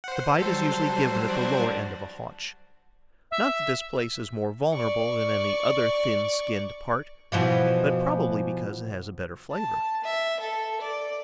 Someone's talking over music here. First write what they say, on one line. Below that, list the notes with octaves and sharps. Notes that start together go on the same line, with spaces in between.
The bite is usually given at the lower end of a haunch: not that this place is more vulnerable than any other thin-skinned part, but probably because it has a better flavour.
C5 F#5
F#3 G3 A4 C5
D4 F#4
E5
D5 C#6
B2 E3 F3
A5
E5
A4
D5